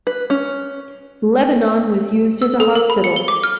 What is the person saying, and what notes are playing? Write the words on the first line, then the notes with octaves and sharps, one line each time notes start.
Lebanon was used as a hospital.
B4
C#4
E6
A4
A#4
B5
C#7
G7
D6
F6